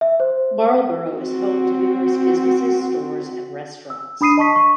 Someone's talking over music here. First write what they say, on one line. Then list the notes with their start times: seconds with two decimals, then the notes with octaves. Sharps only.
Marlborough is home to numerous businesses, stores and restaurants.
0.01 E5
0.20 C5
1.11 C4 F#4
3.90 E6
4.21 D4 B5 D#6 C7 D#7
4.37 D#5 A5 C#6 B6
4.56 C#6